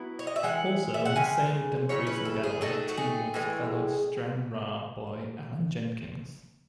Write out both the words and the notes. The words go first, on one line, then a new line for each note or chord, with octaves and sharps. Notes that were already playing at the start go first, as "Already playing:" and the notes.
Also in the same Dumfries and Galloway team was fellow Stranraer boy Allan Jenkins.
Already playing: F#3 B3 E4
C#5
D#5
E5
E3 G#3 F#5
E5
F#5
C#3 G#3 G#5
C#3 F#3 C#4 E4 C#5
B4
A4
G#4
F#3 A3 D#4 A4
F#4
G#4
A2 E3 G#3